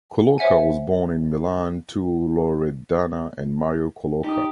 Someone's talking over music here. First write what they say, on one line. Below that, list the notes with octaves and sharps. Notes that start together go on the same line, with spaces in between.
Colloca was born in Milan to Loredana and Mario Colloca.
C5 C#5 E5 F#5 G#5
D#4 G4 D#6